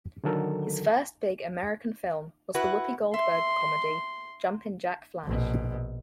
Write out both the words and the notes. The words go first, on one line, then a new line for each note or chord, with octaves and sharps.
His first big American film was the Whoopi Goldberg comedy "Jumpin' Jack Flash".
D3 D#3 F#3 A4 A#4
E4 F#4 B4
E5 C6
A#1 B2